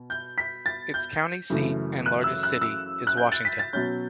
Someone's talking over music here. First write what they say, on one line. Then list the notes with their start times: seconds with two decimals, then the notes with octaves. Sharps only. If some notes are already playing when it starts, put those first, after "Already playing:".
Its county seat and largest city is Washington.
Already playing: B2
0.10 G6
0.38 B6
0.66 A6
0.94 G6
1.50 F#2 C#3 E3 A3
2.06 F#6
2.24 E6
2.43 F#6
2.61 E6
3.07 F#6
3.17 G6
3.32 A6
3.45 B6
3.59 A6
3.73 B2 F#3 C#4 G6